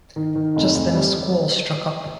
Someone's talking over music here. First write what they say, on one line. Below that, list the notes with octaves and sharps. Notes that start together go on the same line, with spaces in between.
Just then a squall struck up.
D#3
D#3
F1
F1
G3